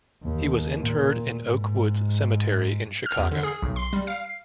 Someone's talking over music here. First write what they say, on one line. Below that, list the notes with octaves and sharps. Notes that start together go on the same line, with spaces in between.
He was interred in Oak Woods Cemetery in Chicago.
D#2
A#2
G#2
F6
E2
D3
G#4
B1
C6
G3
F5
C7